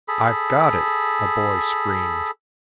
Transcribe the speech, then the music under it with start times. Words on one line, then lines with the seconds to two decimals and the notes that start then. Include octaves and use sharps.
"I've got it!" a boy screamed.
0.08 G#4 A4 B5